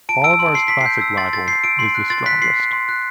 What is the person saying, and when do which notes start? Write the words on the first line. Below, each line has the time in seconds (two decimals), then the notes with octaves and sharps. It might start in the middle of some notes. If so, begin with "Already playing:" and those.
Bolivar's classic rival is The Strongest.
0.09 A5 D7
0.24 E6 D7
0.39 C6 D7
0.55 C6 C7
0.68 C6 B6
0.81 C7
0.86 G6
1.01 E6
1.17 C6 A6
1.33 C6 A6
1.48 G6 C7
1.63 E6 D7
1.79 C6 C7
1.95 F#6
2.10 C6 A6
2.26 F#6 B6
2.41 C6 C7
2.57 F#6
2.73 C6
2.89 F#6